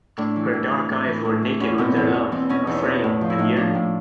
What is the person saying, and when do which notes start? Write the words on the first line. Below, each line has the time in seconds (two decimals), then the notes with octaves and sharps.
Her dark eyes were naked with their love, afraid, and yearning.
0.18 A2 D4
0.36 E3
0.53 A2
0.71 E3
0.89 A2
1.07 E3
1.25 A2
1.43 E3
1.60 E2 C#4
1.78 B2 C4
1.96 E2
2.14 B2
2.32 E2 C4
2.49 B2 C#4
2.67 E2 D#4
2.85 B2
3.04 A2
3.21 F3
3.30 E4
3.39 A2 D#4
3.56 F3 D4
3.75 A2